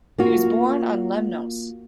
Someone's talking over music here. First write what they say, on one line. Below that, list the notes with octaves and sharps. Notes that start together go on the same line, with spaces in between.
He was born on Lemnos.
A#3 F4 F#4